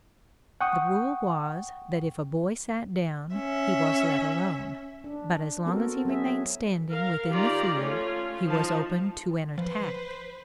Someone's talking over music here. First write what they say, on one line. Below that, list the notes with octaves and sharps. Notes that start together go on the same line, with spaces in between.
The rule was that if a boy sat down, he was let alone, but as long as he remained standing within the field, he was open to an attack.
F#5 G5 C#6 D#6
C#4 E5
D4
B3 C4 F#4 A4 A#4
F#3 B3 G#4 E5
A#4 F5
D#3 F4 G4 D5 A#5
A3 C#4 F4
F3 D#4 A5
F3 B4 C5